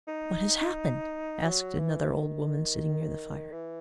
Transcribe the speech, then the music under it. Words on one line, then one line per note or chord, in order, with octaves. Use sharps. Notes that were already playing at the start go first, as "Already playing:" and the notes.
"What has happened?" asked another old woman sitting near the fire.
D#4
F#3
E3
D#3
E3